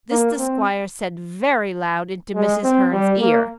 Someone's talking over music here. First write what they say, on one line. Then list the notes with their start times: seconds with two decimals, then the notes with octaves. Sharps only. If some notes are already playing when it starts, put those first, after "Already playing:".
This the squire said very loud into Mrs. Hearn's ear.
0.10 A#3
0.38 C4
2.35 G#3
2.63 C4
2.92 G3
3.20 A#3